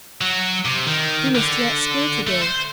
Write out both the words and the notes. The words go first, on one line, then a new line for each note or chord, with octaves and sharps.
"We missed you at school to-day."
F#3
C3
D#3
D3
A3
C5